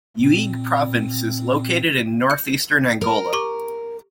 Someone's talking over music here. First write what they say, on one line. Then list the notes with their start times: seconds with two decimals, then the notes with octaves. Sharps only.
Uige Province is located in northeastern Angola.
0.19 A#2 C4
2.30 G6 C#7
3.01 A#4
3.33 G4 C#6 D6